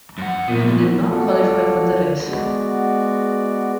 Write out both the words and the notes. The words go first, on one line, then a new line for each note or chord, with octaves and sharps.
He did not qualify for the race.
F#2 F#5
A#2 F3 B3
F4 F#4 A4 D5
G#3 B3 F#4 D5